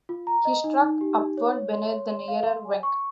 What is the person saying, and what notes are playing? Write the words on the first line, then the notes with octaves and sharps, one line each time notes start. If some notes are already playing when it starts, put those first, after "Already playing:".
He struck upward beneath the nearer wing.
F4
A#5
D#5
D#4
D#4
G4
D#4
C#5
C#5
C6
C#5
C6
F5
C6
G#5
C#6